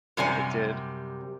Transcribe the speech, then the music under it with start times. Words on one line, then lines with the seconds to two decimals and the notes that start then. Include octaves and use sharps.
It did?
0.17 F#2 C3 G3 G#5